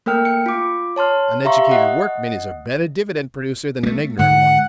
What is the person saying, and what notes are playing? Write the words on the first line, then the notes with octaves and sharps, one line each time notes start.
An educated workman is a better dividend-producer than an ignorant one.
A3 A#3 A#4 G5 F6
C#7
F4 D6
C#5 A5 C6 F6
G4 E5 F5 A#5 C6 C#6
D#5 F#5
A3 A#3
G#2 D3 F#5